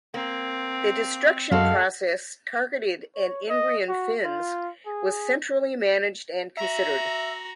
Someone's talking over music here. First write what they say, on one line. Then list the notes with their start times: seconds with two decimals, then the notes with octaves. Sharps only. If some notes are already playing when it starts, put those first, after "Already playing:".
The destruction process targeted at Ingrian Finns was centrally managed and considered.
0.14 A#3 C4
1.51 F#2 G#3 F#4 A4 F5
3.16 C#5
3.50 D#5
3.89 F#4
4.24 F4
4.86 G#4
6.57 F#4 E5 A#5